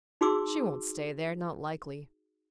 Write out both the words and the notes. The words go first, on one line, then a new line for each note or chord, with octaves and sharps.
She won't stay there, not likely.
D#4 F#4 G#4 C6 D6 E6